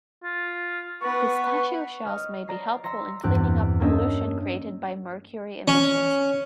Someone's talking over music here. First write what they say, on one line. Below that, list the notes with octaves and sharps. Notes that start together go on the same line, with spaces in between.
Pistachio shells may be helpful in cleaning up pollution created by mercury emissions.
F4
B3 B4 C#6
D#5 F6
D5 A#5 A#6 C7
E5 A#5 C6 A#6 C#7
E2 G2 C4 G4 D6 F#6
A#3 C#4 D4 G4 D#5 E5
C#4